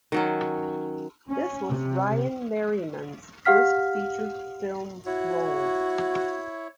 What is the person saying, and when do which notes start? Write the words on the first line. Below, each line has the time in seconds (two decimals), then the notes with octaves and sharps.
This was Ryan Merriman's first feature film role.
0.12 D#3 F#3 C#4
1.30 C#4
1.70 C3
3.45 G4 F5 F#5 F6 B6
5.06 E4 F#4 C#5